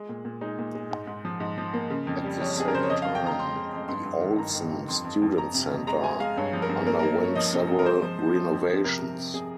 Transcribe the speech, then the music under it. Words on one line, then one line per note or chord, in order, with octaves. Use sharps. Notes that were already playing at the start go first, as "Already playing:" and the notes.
At the same time, the Olsen Student Center underwent several renovations.
Already playing: G#3
A#2
A#2
G#3 D#4
A#2
G#3
G#2
G#2
F3
G#2
F3
A#3
C#3
F2
G3
F2 C#5
F2 G#4
A#4
C#3 C5
C#5
F2 D#5
F2 F5
G5
F2 A#5
F2 C6
G#3
F2
G2 C6
G2
D#3
G2 A#5
D#3
G2
F2 C6
F2
F2
F2 A#5
C3
F2
G#3 A#5
G#3 G#5
G#3 F5
G2 C#5
F3
A#4
G2
A#3 A#4
A#3 A#4
A#3
C#5
F3 D#5
C3
C3
A#4
G#3 C5
F3
F3
F3
F2
F3
C3 A#4
C3
C3
C3 G#4